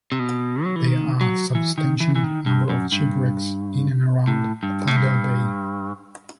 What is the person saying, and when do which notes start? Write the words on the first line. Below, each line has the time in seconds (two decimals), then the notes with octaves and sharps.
There are a substantial number of shipwrecks in and around Thunder Bay.
0.12 C3
0.19 B2
0.64 F#3
0.76 E3
0.87 D#3
1.21 F#3
1.55 E3
1.78 D#3
2.00 E3
2.16 E3
2.24 D#3
2.46 G2
2.69 F#2
2.92 G2
4.28 A2
4.63 G2
4.87 A2
4.96 G2